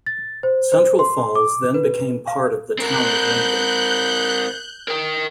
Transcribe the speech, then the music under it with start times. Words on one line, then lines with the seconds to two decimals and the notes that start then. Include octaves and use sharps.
Central Falls then became part of the town of Lincoln.
0.06 A6
0.43 C5
0.72 C5
0.99 C6
1.35 D6
1.74 B4
2.27 F5
2.79 C4 A#4 F#6 G6
4.88 A#4 G5